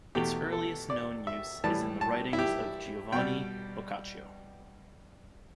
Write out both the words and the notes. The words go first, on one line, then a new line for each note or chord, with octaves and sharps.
Its earliest known use is in the writings of Giovanni Boccaccio.
E2 B2 A3 G4
A4
D5
E5
A2 E3 G3 A5
A5
E4
G4
B2 G3 G5